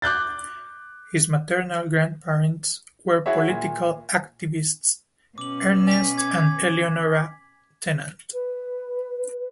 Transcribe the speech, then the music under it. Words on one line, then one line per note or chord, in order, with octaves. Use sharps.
His maternal grandparents were political activists Ernest and Eleonora Tennant.
D6 F#6 G6 A6
E4 F#4 G#4 C#5 E5
A#2
B2 C#4 D6 F#7
G#5 B6
D6 G#6
B4